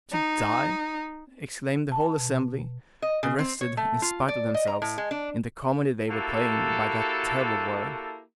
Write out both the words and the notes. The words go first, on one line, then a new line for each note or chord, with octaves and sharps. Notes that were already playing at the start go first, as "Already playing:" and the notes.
"To die!" exclaimed the whole assembly, arrested, in spite of themselves, in the comedy they were playing, by that terrible word.
D#4
A5
B2
D#5
C#3
C4
C#5
A3
F4
D5
D#5
A#5
A2
G#3
D4
A#3 E4 F#4 G4 A4